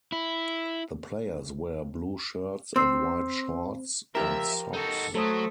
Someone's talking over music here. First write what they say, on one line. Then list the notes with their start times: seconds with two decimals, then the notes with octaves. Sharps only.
The players wear blue shirts and white shorts and socks.
0.12 E4
2.76 C4 C6 E6 C7
4.15 F3 G4 A#4 E5
4.73 D#4 F#4 A4
5.15 F#3 A3 A4 C5 D#6